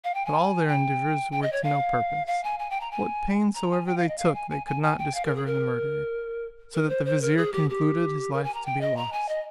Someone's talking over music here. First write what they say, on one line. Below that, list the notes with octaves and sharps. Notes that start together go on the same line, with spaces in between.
But all their endeavours were to no purpose; what pains soever they took they could not discover the murderer; so that the vizier concluded his life to be lost.
F5
G5
G#5
G5
G5
D#5
C#5
F5
F5
G#5
G#5
G5
A#5
G#5
A#5
G#5
G5
F5
D#5
F5
G#5
G#5
G#5
G#5
G5
F5
A#4
G#4
A#4
A#4
C5
C5
A#4
G#4
G4
G4
A#4
G#5
A#5
G5
D#5
A#5
G#5
D#5